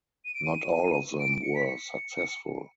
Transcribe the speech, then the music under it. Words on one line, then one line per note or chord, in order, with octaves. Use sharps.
Not all of them were successful.
D#7
D7
D#7
D7
D7
C#7
B6
C#7